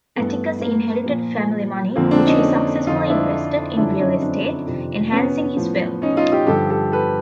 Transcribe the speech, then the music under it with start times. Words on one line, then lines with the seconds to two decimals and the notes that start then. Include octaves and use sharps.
Atticus inherited family money, which he successfully invested in real estate, enhancing his wealth.
0.16 G2 E3 A3 B3
0.61 A#3
1.06 A#2 F3
1.96 F2 D3 F3 A#3 C4
2.11 C4 D4
2.26 C#4 D#4
2.87 F2 D3 F3 D#4 F4
3.09 D4 E4
3.77 F#2 D3 F3 D4 E4
3.99 C#4 D#4
4.22 C4 D4
4.67 F2 C3 D#3
5.12 B3 C#4
5.57 A2 F3
6.02 C#4 D#4
6.17 D#4 F4
6.32 F4 G4
6.47 G2 D3 F3 G4 A4
6.70 G4 A4
6.92 A4 B4